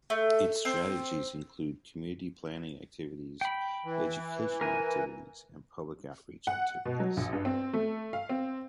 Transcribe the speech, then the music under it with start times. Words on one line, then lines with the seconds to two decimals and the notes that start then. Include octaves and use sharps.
Its strategies include community-planning activities, educational activities, and public out-reach activities.
0.10 A3
0.65 C4
3.41 G5 B5
3.85 E3
4.61 A#4 G#5
6.47 F#5
6.85 B2
7.00 F#3
7.17 A#1
7.33 G2
7.45 C4
7.74 A3
8.13 F5
8.29 C4